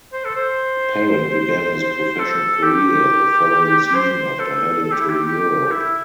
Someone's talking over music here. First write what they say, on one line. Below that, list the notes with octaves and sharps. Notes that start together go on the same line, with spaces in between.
Parent began his professional career the following season after heading to Europe.
C5
A4
C5
A4
G4
C5
A4
A4
G4
E4
G4
G4
G4
E4